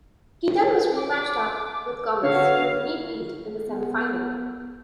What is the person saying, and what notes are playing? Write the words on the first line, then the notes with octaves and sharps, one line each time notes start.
He then was re-matched up with Gomez, whom he beat, in the semi-final.
D6
D3 B3 F#4 C#5 F5
B3